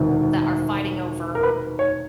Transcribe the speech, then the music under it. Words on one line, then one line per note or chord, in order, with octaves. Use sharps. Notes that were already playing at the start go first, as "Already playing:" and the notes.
that are fighting over,
Already playing: E1 D2 C3 D#3
A#4
B4
C#5